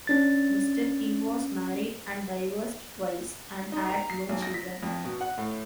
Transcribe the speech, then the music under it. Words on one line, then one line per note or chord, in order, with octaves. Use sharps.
Mr. King was married and divorced twice, and had no children.
C#4 D4 A6
D#4
A#5
C7
B1
A#6
B6
F2
B2
F#5
A2